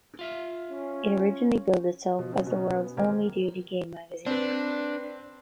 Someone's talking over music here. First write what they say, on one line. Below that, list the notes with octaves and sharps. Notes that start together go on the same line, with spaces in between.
It originally billed itself as "The World's Only Daily Game Magazine".
F4 E5 F5
C#4
B2 F3
C#3 C4 C#4
B2 C#4
B3
D#1 C4 G4 A#4 G#6
C4 D4 B4